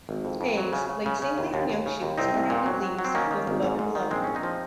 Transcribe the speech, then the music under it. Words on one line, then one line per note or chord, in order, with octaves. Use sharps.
Eggs: Laid singly on young shoots, or on new leaves, both above and below.
G#1
F2
F2
F#3
C#3
C#3
C#3
C#3
D#2
D#2
D#2
C#3
D#2
C2 C4 D#4
C2
A#2
F#3
F#3
F#3
C4
D#3 A#3 C#4
D#3
G#1
G#2
G#2
D#3
A#1 G#3 C4
A#1 C#4
C4 D#4
F3